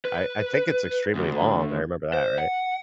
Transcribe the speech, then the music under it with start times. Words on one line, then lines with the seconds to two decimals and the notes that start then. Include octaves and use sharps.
I I think it's extremely long, I remember that, right?
0.05 B4
1.15 D2
2.13 C5
2.38 F#5